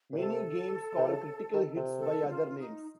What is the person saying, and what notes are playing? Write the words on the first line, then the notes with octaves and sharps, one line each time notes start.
Many games call critical hits by other names.
A#2
C3 A4
C3
C#3
D#3
C3
A4
F4
D#4